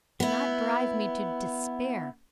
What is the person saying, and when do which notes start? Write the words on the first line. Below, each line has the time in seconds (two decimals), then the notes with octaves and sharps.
Do not drive me to despair.
0.20 B3 E4